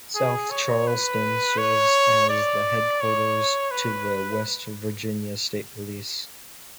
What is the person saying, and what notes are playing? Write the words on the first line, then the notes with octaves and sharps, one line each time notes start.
South Charleston serves as the headquarters to the West Virginia State Police.
G#4
C#5
B4
C#5
D5
C#5
B4